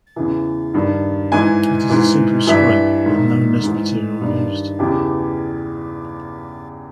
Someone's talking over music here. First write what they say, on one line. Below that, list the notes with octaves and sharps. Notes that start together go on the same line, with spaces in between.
It is a simple scrape with no nest material used.
E2 C#3 E3
G2 D#3
G#2 E3 G#5
G#2 E3
G2 E3 E5
G#2 D#3
G#2 E3
G2 D#3
E2 C#3 E3 G4